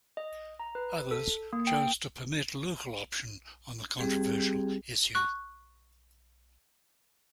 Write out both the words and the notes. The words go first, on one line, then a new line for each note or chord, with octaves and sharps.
Others chose to permit local option on the controversial issue.
D#5
A#5
B4
A4
A#3
G5
G3 C4 G4 G#4
C#6 F#6